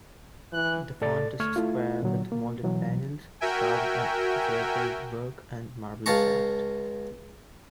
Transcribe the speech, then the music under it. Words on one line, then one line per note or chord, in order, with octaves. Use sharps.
The font is square with molded panels, carved an drapered work, and marble shaft.
E3 F#6
A2 A4 D5 A6
D2 A3 C#6 F6 G#6
A3 E4 F4
A#2 D3 F#3
A#3
B2 E3 F#3
F#4 A#4 E5 G5 G#5
C#2 F5 A5 A#5 C#6